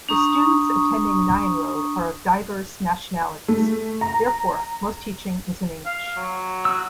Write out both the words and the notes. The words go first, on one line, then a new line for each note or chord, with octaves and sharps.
The students attending Nyenrode are of diverse nationalities, therefore most teaching is in English.
D4 A#5 C#6 D#6
A3
A#5
F5
F#3
F#4 E6